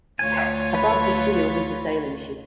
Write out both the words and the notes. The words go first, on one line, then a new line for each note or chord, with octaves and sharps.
Above the shield is a sailing ship.
D2 F4 C#5 G#5
B4